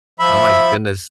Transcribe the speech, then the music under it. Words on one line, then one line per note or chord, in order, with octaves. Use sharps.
Oh my goodness.
F3 E5 B5